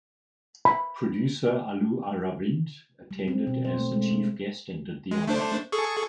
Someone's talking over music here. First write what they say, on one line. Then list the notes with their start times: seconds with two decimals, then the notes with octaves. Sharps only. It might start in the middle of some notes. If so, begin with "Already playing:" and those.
Producer Allu Aravind attended as the chief guest and did the honours.
0.65 B5
3.11 G3
3.28 C4
3.47 B2
3.65 C5
3.78 A3
3.92 G#3
4.11 G#3
5.11 G#3
5.27 A3 D4 C5
5.72 G#4 A4 C#6